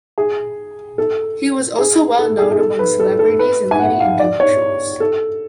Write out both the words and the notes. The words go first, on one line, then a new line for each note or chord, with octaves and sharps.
He was also well known among celebrities and leading Intellectuals.
G#4
A4
G#4
A4
G#4
G#4
A4
B4
A4
A4
B4
G#5
F#5
F5
D5
C#5
A4